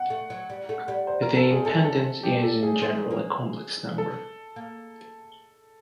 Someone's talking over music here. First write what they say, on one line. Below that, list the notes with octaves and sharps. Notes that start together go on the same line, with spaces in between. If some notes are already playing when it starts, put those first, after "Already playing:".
The impedance is, in general, a complex number.
Already playing: F#5
A3
F#3
G3
A3
G3
C5
A#4
A4
G#4
G#3 A4
A4
G4
A4
G#4
C4
A#3
A4
A#3